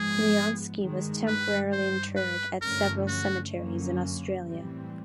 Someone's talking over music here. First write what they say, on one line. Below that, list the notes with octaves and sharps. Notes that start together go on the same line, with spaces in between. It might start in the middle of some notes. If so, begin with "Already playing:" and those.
Leonski was temporarily interred at several cemeteries in Australia.
Already playing: G#2 F3 G#3 B3 G#4
G2 D#3 G#3
B4
G2 D#3 G3 C5
B4
G2 D3 F3 A3 C#4 A#4
F#4
F#2 D3 F#3 A#3 C#4
A2 E3 G3 C4